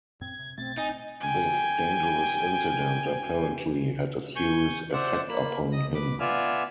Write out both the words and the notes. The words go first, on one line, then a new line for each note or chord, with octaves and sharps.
This dangerous incident apparently had a serious effect upon him.
F#2 A#2 C4 G#6
C3
B1 B2 A3 C4 A6
A1 C4 D#4 G#5
G5 G#5
G#5 C#6 G6
C5 D5 E5 F#5
A#3 B5
D#5 D#6
B4 D6
B3 F4 D5 E5 G#5 F6